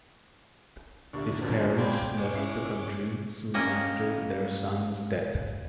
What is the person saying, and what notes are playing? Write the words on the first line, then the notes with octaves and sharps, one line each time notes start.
His parents left the country soon after their son's death.
D2 A#2 D3 D4 G4 E5 C#6
F#2 B2 F3
C4 D5 F5 G5 G#5 B5 D6
G#3 C#5 D6
C#4 E4 E5 C7
G3 A#3 C#4 D#5